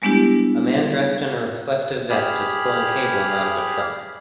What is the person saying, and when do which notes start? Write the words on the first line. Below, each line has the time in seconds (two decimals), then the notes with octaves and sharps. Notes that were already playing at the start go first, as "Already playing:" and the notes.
A man dressed in a reflective vest is pulling cabling out of a truck.
0.02 G3 G#3 B3 D4 E4 G4
2.10 G4 G#4 B5 F6